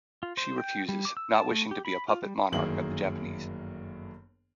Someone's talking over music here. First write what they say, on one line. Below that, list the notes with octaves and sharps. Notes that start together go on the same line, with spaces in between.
She refuses, not wishing to be a puppet monarch of the Japanese.
F4
C5
G5
G3
D6
E6
A5
A3
G4
B5
F4
G3
G1 F#2 D#3 A#3 G#4 F#7